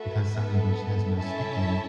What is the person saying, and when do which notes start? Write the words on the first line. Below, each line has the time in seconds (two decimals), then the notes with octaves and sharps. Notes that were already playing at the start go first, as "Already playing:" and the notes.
because sign language has no speaking,
Already playing: A3 F#4 A4 B4 E5
0.34 B3 A4
1.18 C#4 E4 A4 E5 A5